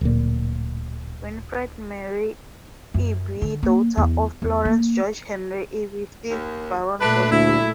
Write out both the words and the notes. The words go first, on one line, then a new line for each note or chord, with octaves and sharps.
Winifred Mary Irby, daughter of Florance George Henry Irby, fifth Baron Boston.
D1 A#2
F#2
D3
A#3
E2
E2
A#3
D#2
A#2 A3 D4 B4
D2 E4